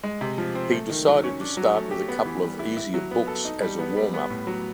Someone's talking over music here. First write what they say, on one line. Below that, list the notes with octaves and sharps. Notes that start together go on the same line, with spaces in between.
He decided to start with a couple of easier books as a warm-up.
G#3
C3
F3
C4
A3
D#3
F#3
C#4
D4
F#3
A3
G4
B3
E3
G3
E4
E4
F#3
B3
A4
D#4
G3
B3
G3
B3
A2
F#3